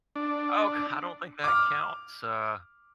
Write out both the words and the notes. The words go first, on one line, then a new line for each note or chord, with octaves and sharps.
oh c I don't think that counts, uh,
D4
D6 F6